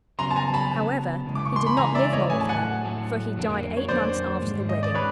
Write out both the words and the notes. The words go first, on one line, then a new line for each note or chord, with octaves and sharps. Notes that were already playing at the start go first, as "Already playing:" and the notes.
However, he did not live long with her, for he died eight months after the wedding.
C#3 F#3 B3 A#5 C6
A5
G#5 A#5
A5 B5
C#3 F#3 B3
C#3 E3 G#3
D6
C#6
C6
B5
C#3 E3 G#3 G#5 A#5
D5 E5
C#5 D#5
A2 F#3 A3 G#5
A5
F#5 G#5
A2 F#3 A3
F2 D3 F#3 A#3
C#5
F2 D3 F#3 A#3 C5 D5
G#2 D#3 G#3
D#5
D5
D#3 G#3 B4 C#5